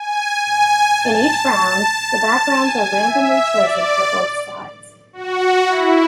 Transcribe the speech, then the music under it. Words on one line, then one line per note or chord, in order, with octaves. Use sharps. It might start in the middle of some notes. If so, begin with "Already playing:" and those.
In each round, the backgrounds are randomly chosen for both sides.
Already playing: G#5
G#5
A5
G#5
E5
D5
F#4
E4